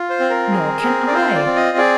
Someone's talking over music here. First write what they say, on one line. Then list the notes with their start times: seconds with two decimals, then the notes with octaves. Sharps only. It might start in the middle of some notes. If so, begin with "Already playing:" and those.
"Nor can I."
Already playing: F4
0.10 C5
0.20 C4
0.30 A#4
0.51 G#4
0.83 C4
1.07 D5
1.14 F4 C5
1.35 D5
1.46 C4
1.56 D#5
1.77 G#4 D5